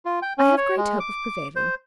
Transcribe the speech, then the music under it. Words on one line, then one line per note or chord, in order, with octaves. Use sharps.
I have great hope of prevailing.
F4
G5
C#4
C#5
G#3
D6
C5